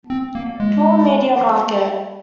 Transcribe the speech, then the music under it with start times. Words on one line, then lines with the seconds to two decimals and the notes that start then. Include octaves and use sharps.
Paul media market.
0.10 C4
0.35 A#3
0.60 G#3